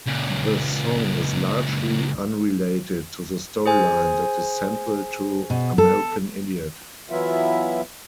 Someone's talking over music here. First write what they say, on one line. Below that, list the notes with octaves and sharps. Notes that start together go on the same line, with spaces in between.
The song is largely unrelated to the storyline that is central to "American Idiot".
C#2 A#2
G#4 C5 G#5
B2
A4
E3 F#3 B3 E4 F4 E5